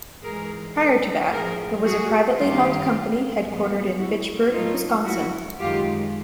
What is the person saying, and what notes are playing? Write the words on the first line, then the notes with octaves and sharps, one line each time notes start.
Prior to that it was a privately held company headquartered in Fitchburg, Wisconsin.
G#2 E3 G#3 G#4 A#4
A4 B4
A2 F3 A3 G#4 A#4
F#4 G#4
F#2 D#3 G3 A#3 F4 G4
G#2 F3 G#3 B3
E4 F#4
A2 F#3 A3 D#4 F4
E4 F#4
F#2 D#3 G#3 F4 G4